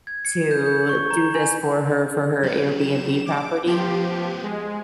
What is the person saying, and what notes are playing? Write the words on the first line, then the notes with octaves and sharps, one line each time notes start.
to do this for her, for her Airbnb property,
G#6
C#7
G6
G6
C#6
A#5
G#5
F#3 G4
E7
D6
F3 B3 G4 C5
G#3